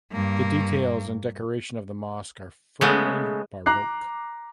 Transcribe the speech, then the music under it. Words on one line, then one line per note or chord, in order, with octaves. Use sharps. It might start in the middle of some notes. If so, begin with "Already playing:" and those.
The details and decoration of the mosque are firmly Baroque.
G2 A#3
C#3 G#3 A3 B3 C#4
A#5 D6 F#6 C7